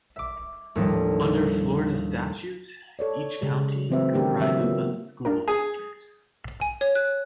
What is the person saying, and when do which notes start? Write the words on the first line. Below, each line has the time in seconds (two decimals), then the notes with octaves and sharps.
Under Florida statute, each county comprises a school district.
0.16 E5 D6
0.75 D#2 A2 F3 G3 D4 D#4
2.99 A4 C#5 D5
3.41 C#3 G#3 G4
3.89 E3 F#3 A3 C4 B4 E5
4.13 D#3 G#3 B3 D4 G4 A#4
4.40 C#3 F#3 C4 E5
4.60 A#3 B3 F4
5.25 D4 F4 A#4
5.48 G#4 G#5
6.61 G#5
6.81 C#5
6.95 F#6